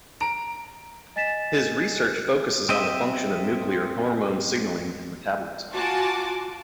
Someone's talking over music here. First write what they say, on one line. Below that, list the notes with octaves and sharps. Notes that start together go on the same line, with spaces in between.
His research focuses on the function of nuclear hormone signaling and metabolism.
A#5 D7
D#5 G#5 A6 B6 E7
C4 D#5 E5
F4 F#4 G#5 A5 D6